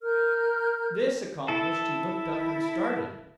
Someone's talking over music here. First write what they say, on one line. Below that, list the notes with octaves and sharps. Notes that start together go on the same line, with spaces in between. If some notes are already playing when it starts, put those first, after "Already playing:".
This accomplished, he looked up and started.
A#4 F6 G6
E4 A4